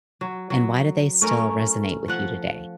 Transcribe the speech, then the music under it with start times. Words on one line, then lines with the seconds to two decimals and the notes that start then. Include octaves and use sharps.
and why do they still resonate with you today?
0.21 F#3
0.50 F#3
1.22 A3 C#4 A#4
2.08 F3 F#5